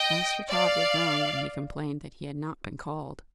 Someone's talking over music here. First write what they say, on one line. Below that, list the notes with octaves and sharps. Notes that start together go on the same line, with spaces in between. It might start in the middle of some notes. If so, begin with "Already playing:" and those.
Master Tod was wrong when he complained that he had not been called.
Already playing: D#5 G5
D5 F5